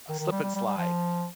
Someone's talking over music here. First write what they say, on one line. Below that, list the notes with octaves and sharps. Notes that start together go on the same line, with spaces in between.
a Slip 'N Slide
D#3
D#3
G3
G3
G3
G3
F3